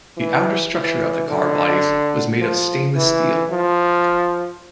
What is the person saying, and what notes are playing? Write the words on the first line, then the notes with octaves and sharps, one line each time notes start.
The outer structure of the car bodies was made of stainless steel.
E3
E3
D3
F3
E3
F3